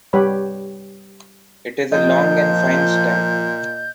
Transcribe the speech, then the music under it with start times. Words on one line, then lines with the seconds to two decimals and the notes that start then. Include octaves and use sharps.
It is a long and fine stem.
0.13 G3 G4 B4 C#5 B5
1.92 A#2 F3 D#5 G6